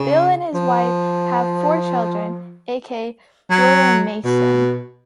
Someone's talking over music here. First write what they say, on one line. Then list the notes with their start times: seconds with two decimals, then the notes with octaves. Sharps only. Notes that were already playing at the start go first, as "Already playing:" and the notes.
Bill and his wife have four children aka Jordan Mason.
Already playing: C#3
0.54 F3
3.50 F#3
4.24 B2